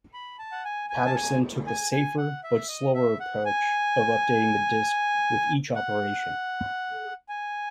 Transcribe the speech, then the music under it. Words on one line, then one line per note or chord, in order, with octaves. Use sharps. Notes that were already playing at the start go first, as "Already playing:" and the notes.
Paterson took the safer but slower approach of updating the disk with each operation.
B5
A5
F#5
G#5
G#5
A5
G#5
G#5
G#5
F#5
E5
D#5
E5
F#5
G#5
F#5
G#5